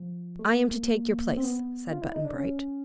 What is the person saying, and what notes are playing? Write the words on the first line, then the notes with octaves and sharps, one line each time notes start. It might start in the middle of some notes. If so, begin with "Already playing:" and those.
"I am to take your place," said Button-Bright.
Already playing: F3
A3
A#3
C4
B3
F4
E4
D#4
D4
C#4